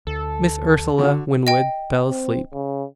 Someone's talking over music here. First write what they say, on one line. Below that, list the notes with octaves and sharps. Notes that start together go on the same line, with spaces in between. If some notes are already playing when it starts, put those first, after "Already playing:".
Miss Ursula Winwood fell asleep.
D2 A4
D3 F#4
D#5 G5
C4
C#3